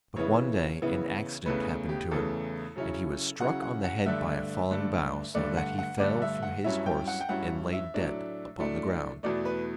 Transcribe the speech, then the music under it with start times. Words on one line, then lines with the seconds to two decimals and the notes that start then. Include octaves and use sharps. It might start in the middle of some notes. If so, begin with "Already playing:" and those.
But one day an accident happened to him, and he was struck on the head by a falling bough, so that he fell from his horse and lay dead upon the ground.
0.16 C#3 E3 B3 E4 C#5
0.82 C#3 E3 B3 E4
1.46 E2 C#3 E3 A3 B4
1.89 G4
2.11 E2 C#3 E3 A3 A4
2.76 C#3 F#3 C#4 E4
3.40 C#3 F#3 C#4 E4 F#5
3.62 F#5
3.84 F#5
4.06 G2 D3 A3 D4 E5
4.71 G2 D3 A3 D4
5.34 G2 D3 A3 D5
5.57 F#5
5.78 F#5
5.99 G2 D3 A3 D5
6.22 E5
6.43 F#5
6.64 G2 F#3 C#4 E4 E5
6.86 G5
7.08 F#5
7.21 G5
7.29 G2 F#3 C#4 E4 F#5
7.73 E5
7.94 A2 F#3 A3 D4
8.59 A2 F#3 A3 D4
9.23 E2 B2 A3 D5
9.45 B4